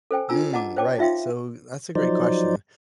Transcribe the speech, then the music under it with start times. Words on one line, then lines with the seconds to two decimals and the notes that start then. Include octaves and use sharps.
Mm, right, so that's a great question,
0.11 A4 C5 G5 G#5
0.29 D4 F4 G#5 A#5 E6
0.53 D#5 F#5 A5 A#5 D6
0.77 C5 C#5 G5 A5 D6
0.98 D#4 F4 E5 F5 G5 C6
1.95 F3 F#3 D#4 C5 D5